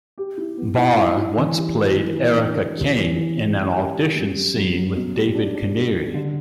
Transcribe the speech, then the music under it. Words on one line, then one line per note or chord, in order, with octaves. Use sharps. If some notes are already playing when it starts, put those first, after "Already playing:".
Barr once played Erica Kane in an audition scene with David Canary.
G4
E4
B3
E4
E4
E4
E3
G3
E3
E3
E3
D4
E3
G3
E3
E3
E3
C#4
G3
G3
F#2
G3
F#2
F#2
B2
G3
D4
D4
G3
G3
D3